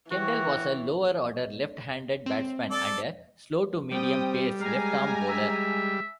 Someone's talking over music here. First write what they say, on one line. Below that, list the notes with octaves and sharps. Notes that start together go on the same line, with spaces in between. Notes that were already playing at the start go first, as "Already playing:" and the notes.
Kendall was a lower-order left-handed batsman and a slow-to-medium pace left-arm bowler.
E3 F#4 C#5 G5
C4
A4 D5
G3 C4 G5 D#6
G#3 F5 G#5 A#5
G#3 E5